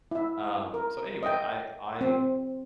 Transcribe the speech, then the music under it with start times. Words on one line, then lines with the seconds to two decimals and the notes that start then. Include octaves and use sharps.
Um, so anyway, I I
0.11 E4 E5
0.74 A#4
1.23 D#5 E5 G5
2.01 C4